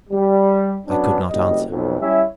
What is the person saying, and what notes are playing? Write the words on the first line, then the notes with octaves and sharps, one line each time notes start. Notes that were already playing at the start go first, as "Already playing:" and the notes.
I could not answer.
G3
F#3 B3 C#4 D4
F#1 F2 G3 D#5
B1 F2
G3 C#4 E4 G4 E5